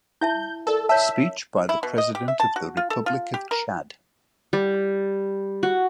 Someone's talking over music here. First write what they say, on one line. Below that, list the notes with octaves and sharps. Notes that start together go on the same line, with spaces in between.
Speech by the President of the Republic of Chad.
E4 E5 A5 G6
A4 A#4 D5
C#5 E5 A5
E4
B2
D#5
G4
E5
A5
F#4
F4
A4
F4
G4
A#4
G3
F#4